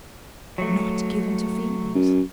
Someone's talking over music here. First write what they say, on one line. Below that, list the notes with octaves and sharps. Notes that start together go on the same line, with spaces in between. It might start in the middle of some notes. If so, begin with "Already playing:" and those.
Not given to feelings!
F#3 A3
F#2